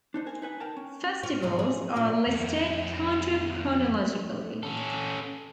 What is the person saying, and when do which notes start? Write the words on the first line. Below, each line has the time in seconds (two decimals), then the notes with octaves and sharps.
Festivals are listed counter-chronologically.
0.14 D4 D#4 C5
0.26 A#4 C5 G#5
0.42 D#4 B4 G#5
0.60 A#4 G5 A5
0.77 C#4
1.23 C#4 F4
1.42 E2 G#2 B2
1.59 G#4
1.96 A#2 D4 F4
2.28 F2 E4
4.63 C#4 A4